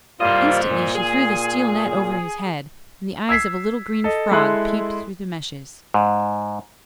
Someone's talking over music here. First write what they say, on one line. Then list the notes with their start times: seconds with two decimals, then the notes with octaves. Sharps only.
Instantly she threw the steel net over his head, and the eyes of a little green frog peeped through the meshes.
0.20 G3 A#3 F4 C5 D#5
0.69 A#2
0.95 G#4
3.29 E6 G#6 B6 C7
4.04 A4 D#5
4.31 G#3 E4 A4 C6 F#6
5.94 G#2